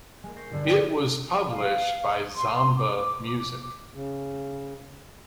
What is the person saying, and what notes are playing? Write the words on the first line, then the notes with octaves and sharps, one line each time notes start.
It was published by Zomba Music.
G#3 A#3
C#6 G6 A#6 C7
B1 G2 D3
D5 G5
F5
C6
D6
D6
C#3